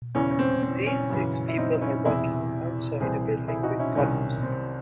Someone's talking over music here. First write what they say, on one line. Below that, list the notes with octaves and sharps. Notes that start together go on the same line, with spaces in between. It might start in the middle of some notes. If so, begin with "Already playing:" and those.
These six people are walking outside a building with columns.
E2 C#3 E3 C#4
C#4
C4
C4
C#4
F#2 C#3 E3
E4
C4 D#4
C#4 E4
E2 C3 E3 E4 G#4
C2 C3 E3 G#4 C5
E4 G#4
D#4 F#4
C#4 E4
C2 C3 D#3 C#4
C4